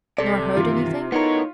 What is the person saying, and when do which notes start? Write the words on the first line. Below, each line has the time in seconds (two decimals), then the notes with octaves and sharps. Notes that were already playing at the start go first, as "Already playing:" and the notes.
"Nor heard anything?"
0.18 C2 C3 A4 D5
0.57 G2 D#3 E3 F4
1.12 A2 B3 D#4 A#4 C#5